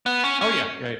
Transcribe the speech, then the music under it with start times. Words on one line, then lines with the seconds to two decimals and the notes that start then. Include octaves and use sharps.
Oh, yeah, yeah.
0.06 B3
0.24 C#4
0.41 C#4